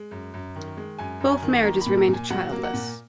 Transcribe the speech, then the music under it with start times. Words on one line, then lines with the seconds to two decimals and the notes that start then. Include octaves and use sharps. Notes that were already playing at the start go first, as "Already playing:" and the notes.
Both marriages remained childless.
Already playing: G#3
0.11 F#2
0.34 F#2
0.56 D#3
0.77 G#3
0.99 F#2 G#5
1.20 F#2
1.27 A#5
1.32 G#5
1.42 D#3
1.65 A#3 A#5
1.81 B5
1.86 A#2
1.97 A#5
2.08 A#2
2.13 G#5
2.30 F#3 F#5
2.52 A#3
2.63 F#5
2.74 A#2